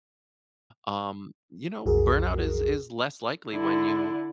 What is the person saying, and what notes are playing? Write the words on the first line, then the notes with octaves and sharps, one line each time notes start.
um, you know, burnout is is less likely when you
B1 F2 F#4 G#4 A#4
D3 E4